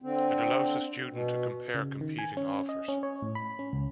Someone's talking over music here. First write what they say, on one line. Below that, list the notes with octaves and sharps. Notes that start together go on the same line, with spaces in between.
It allows a student to compare competing offers.
D3 C4
B2
C#3
D#3
G#5
C#4
D#5
C#4
C#5
A2
B5
C#4
C#2